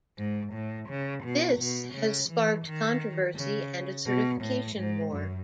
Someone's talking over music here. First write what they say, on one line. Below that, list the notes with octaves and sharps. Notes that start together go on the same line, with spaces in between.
This has sparked controversy and a certification war.
G#2
A2
C#3
B2
B2
C#3
E3
D#3
C#3
B2
A2
G#2
F#2